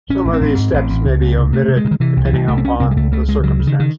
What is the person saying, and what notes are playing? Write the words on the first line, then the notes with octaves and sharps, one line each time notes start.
Some of these steps may be omitted, depending upon the circumstances.
A1 C#4
A1
C4
A1
G#2
A1
A1
C#2
C#2
C3
C3 A3
C3
G#3
C3
D#3
C3 E3
C2
E3
C2
C2 A3
C4
C2 C#4
C2 C4
G#3
C#2 A3
C#3 A3
C#2 G#3
C#3 F#3
C#3
D#3
D#3